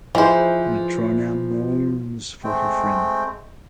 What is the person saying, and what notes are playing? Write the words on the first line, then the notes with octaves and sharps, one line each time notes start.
Matrona mourns for her friend.
E3 F3 G#4 C5 D#5 E5
G#3 A3 C4 G5